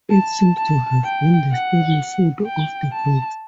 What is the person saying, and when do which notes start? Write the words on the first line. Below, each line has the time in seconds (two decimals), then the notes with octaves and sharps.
It seems to have been the staple food of the Greeks.
0.11 A5
0.58 A5
1.04 G5
1.52 F#5
2.46 G5
2.93 A5